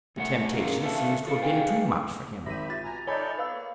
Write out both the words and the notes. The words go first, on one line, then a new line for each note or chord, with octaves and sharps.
The temptation seems to have been too much for him.
C3 A3 C5 F#5
A#3 C#4 F4 G#4 A#4
A#2 A4 B4 E5 F5 A5
F4 A4 F5
G#4 B4 F5 G5 G#5
G#1 G4 E5 B5 A#6 D#7
F4 A6
B2 G#5 A#5
D#4 A4 C#5 D5 E5 G#5 B5 G7
B3 B4 F5 E6
A#3